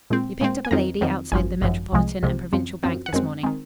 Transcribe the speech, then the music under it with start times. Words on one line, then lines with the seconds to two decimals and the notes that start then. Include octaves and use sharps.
You picked up a lady outside the Metropolitan and Provincial Bank this morning.
0.10 A#2 G#3 C4
0.41 A#2 G#3 C4
0.65 G#5
0.71 F2 D#3 F#3 C4 A#5
1.01 F2 D#3 F#3 C4
1.32 G#1 F#2 F3 G#5
1.62 G#1 F#2 F3
1.93 C2 C3 F3 G#3
2.23 C2 C3 F3 G#3
2.53 F#2 F3 C4
2.83 F#2 F3 C4
3.06 F#5
3.13 F#2 D#3 G#3 C4 G#5
3.43 D#3 G#3 C4